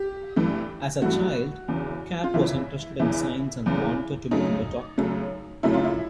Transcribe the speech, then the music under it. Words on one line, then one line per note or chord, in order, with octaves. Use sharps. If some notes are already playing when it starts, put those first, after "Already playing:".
As a child, Catt was interested in science and wanted to become a doctor.
Already playing: G4
G2 E3 A3
G2 E3 A3 F#4
E2 C#3 E3
F4
E2 C#3 E3 E4
E2 C#3 E3 E4
E2 C#3 E3
F#2 C#3 F#3 A3 D#4
F#2 C#3 F#3 A3
F#2 C#3 F#3 A3 E4
F4
E4